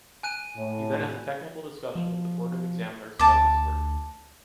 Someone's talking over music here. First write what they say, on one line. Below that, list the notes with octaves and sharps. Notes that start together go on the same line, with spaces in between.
He then has a technical discussion with the board of examiners about this work.
G#5 F#6 D#7
A2
F3
D2 A5 D6